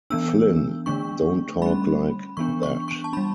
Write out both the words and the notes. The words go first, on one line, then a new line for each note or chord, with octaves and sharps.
Flynn, don't talk like that.
E3 B3 D4 E6
D3 A3 D4 C#6
G3 C#4 B5
E3 B3 D4 C#6
C#6
C#6
A5
G3 D4 B5